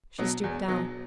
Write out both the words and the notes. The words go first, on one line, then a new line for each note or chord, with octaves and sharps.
She stooped down.
B2 F#3
E2
B2 F#3